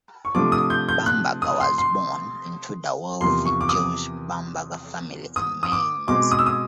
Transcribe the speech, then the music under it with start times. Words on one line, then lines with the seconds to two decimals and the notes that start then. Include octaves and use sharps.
Bamberger was born into the wealthy Jewish Bamberger family in Mainz.
0.25 C#6
0.35 C3 F3 A3 D4 D6
0.52 D#6
0.70 G6
0.89 G6
1.06 F#6
1.42 D#6
1.60 C6
1.78 C6
3.21 E2 C3 F3 A#3 C6
3.46 C#6
3.61 D6
3.69 D#6
5.36 D#6
5.63 D#6
5.72 D6
6.07 B2 G#3 C4 D6
6.31 D#6
6.39 E6
6.46 D#6